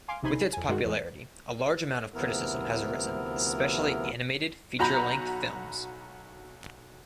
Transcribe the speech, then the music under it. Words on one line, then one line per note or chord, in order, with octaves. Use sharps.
With its popularity, a large amount of criticism has arisen, especially animated feature-length films.
F5 G#5 C6 D6
B1 C3 D#4 G#5 B5 C6
F2 G#5
G2 D#3 G#3 F#4
E2 G#3
D2 C3 F3 B3 E4 A#4
B1 F#4 A#5 B5 G6